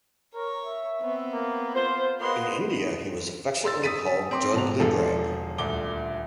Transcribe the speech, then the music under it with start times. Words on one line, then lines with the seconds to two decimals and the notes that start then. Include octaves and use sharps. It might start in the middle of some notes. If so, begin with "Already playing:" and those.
In India, he was affectionately called "Jungly" Greig.
0.34 A#4 C#5
0.64 E5
1.01 B3 C4
1.33 A#3
1.75 F4 C5
2.20 G#3 A#3 B3 B4 C6
3.64 A#5 C6 E6 A6
3.84 D#6 A6 B6 D#7
4.31 C4 C6 D6
4.54 G#2 A5 F7
4.80 E1 D3 F3 G#4 A4
5.58 D#1 D2 D3 D6 G7